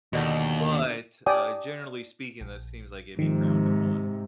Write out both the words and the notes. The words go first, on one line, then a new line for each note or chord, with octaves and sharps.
but, uh, generally speaking, that seems like it'd be frowned upon.
D#2 B2 D3 D#4
D5 G5 G#5 D#6
A#1
G#2 C3 D#3 F3